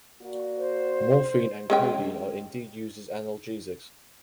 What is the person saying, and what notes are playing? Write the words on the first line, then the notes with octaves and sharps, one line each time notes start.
Morphine and codeine are indeed used as analgesics.
A#3 F#4 D5
C5
G#3 C#4 G5